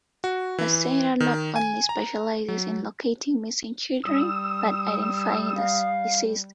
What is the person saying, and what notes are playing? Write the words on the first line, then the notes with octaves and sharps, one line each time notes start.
The Center not only specializes in locating missing children, but identifying the deceased.
F#4
E3
D#3
G#5
A#5
F#3
G3 D#6 E6
F5